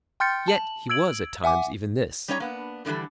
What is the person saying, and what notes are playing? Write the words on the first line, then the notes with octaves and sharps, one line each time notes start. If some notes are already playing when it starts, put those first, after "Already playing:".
Yet he was at times even this.
G5 C6 F6 G6 A6 C#7
A5 F#7
E6 G#6 D7 F#7
E5 F#5 G#5 D6
G3 C#4 D#4 C#5 F#5 A#5
A#3 B3 D4
A2 D3 E3 G3 A4